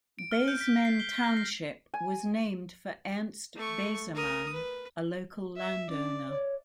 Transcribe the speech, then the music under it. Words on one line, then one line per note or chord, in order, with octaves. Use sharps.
Beseman Township was named for Ernst Besemann, a local landowner.
D7
F6
G6
B6
C7
G7
B6
A#6
C7
G#5
A3 C#6
A#4 D#6
B4
E5
C#4 D5
C#5